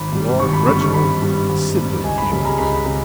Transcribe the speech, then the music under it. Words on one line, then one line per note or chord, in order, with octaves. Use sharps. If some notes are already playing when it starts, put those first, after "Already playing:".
"Lord Reginald Sidley!" he announced.
Already playing: G#1 B5
G2 G3
G#1 C#6
B5
G2 G3 C#6
C#6
G#1 B5
G2 G3
G#1
G2 G3
C#2 G#5
B5
C#3 G3 B5
A#5
C#2 B5
C#3